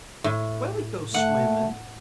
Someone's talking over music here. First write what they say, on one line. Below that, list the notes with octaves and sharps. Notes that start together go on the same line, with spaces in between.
"Where we go swimmin'?"
A2
A3 F#5